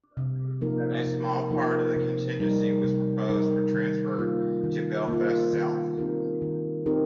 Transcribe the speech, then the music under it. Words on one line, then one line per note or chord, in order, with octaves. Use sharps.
A small part of the constituency was proposed for transfer to Belfast South.
C3
F3 A#3 D#4 A#4
C3
F3 A#3 D#4 A#4
C3
G3 D#4 A#4
C3
G3 D#4 A#4
D#3
A#3 F4
D#3
A#3 F4
D#3
C4 D#4 G4 A#4
D#3
C4 D#4 G4 A#4